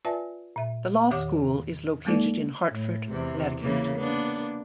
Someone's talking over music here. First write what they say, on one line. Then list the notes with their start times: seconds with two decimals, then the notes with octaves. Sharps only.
The law school is located in Hartford, Connecticut.
0.05 F4 B4 D5 E5 G#5 A5
0.56 A#2 E5
1.11 E2 D#3 G4 C#5 F#5 D6
2.05 F#3 G#3 A#3 D#4 A4 D5
2.69 A2
3.09 E2 C3
3.61 C#3 E3 A#3
3.96 A#3 B3 D4